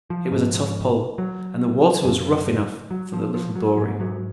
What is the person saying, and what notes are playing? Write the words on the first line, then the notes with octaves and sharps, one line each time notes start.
It was a tough pull, and the water was rough enough for the little dory.
F3
G#2
F#3
F#2 C#3
F#3
F3
F3
F#3
G#2 G#3
F#3